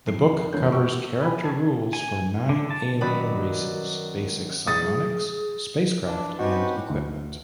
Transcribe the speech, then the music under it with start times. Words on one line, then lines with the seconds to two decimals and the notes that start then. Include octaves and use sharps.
The book covers character rules for nine alien races, basic psionics, spacecraft and equipment.
0.07 F2 C7
0.53 E1 G2 D3 C#5 G6
0.71 F#4 G4 C#6 E6
1.21 B4 G5 G#5 B5
1.43 A5 G#6
1.93 G#5
2.49 D3
2.71 A5
3.01 F#2 D#3 B4 D5 B5
4.67 G#4 D#6 A6
6.06 E3 D4
6.39 C4 C#4 D#4 F#4 G4 B4
6.90 D2